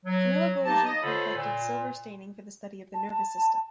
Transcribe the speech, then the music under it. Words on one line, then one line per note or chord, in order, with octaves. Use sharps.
Camillo Golgi perfected silver staining for the study of the nervous system.
F#3
A#3 D#4 G4 A5
D#5
D3 F4 A4 C5 C#5 B5
A#2
A5